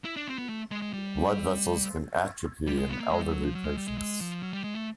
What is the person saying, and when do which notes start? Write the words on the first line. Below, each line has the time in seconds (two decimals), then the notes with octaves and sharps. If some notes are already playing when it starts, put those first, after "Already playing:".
Blood vessels can atrophy in elderly patients.
0.05 E4
0.16 D4
0.27 C4
0.38 B3
0.49 A3
0.71 G#3
0.82 G#3
0.93 G3
2.67 G3
2.79 G#3
2.89 B3
3.00 A#3
3.11 G#3
3.22 G3
3.33 F#3
3.44 F3
3.55 F#3
3.65 G#3
3.77 G3
3.87 G#3
3.98 G#3
4.21 F3
4.43 F#3
4.53 G3
4.64 G#3
4.75 A3